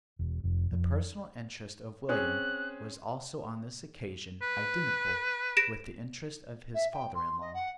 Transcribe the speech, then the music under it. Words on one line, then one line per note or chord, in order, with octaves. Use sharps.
The personal interest of William was also on this occasion identical with the interest of his father in law.
E1
F1
F2
C4 C#4 G#4 F#6
B4
A#6 D7 E7
E5
G5
C6
D#5
F#5